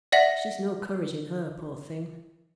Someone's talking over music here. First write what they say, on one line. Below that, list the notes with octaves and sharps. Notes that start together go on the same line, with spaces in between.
She's no courage in her, poor thing!'
D5 E5 F#5 A#6 B6 F#7